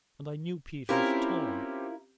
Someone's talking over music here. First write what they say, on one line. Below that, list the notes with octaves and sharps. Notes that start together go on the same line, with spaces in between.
And I knew Peter's tone.
C4 C#4 E4 F4 G4 A#4